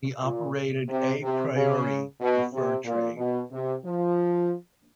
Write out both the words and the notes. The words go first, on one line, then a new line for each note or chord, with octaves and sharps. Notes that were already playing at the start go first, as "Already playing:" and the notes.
He operated "a priori" the fur trade.
A#2
C3
C3
C#3
B2
C3
A#2
B2
C3
F3